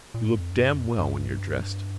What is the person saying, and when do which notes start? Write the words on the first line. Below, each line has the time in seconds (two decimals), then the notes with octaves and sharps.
You look damn well when you're dressed.
0.14 A#2
0.26 G#2
0.38 F2
0.50 F#2
0.63 G2
0.75 F2
0.99 G2